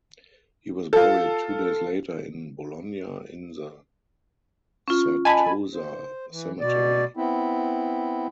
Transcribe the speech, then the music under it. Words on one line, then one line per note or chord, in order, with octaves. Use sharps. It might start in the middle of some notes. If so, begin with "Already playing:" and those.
He was buried two days later in Bologna in the Certosa cemetery.
F4 A4
C#4 F4
D#5 G#5 A5 B5
C5
E3
B2 D5
B3 C4 E4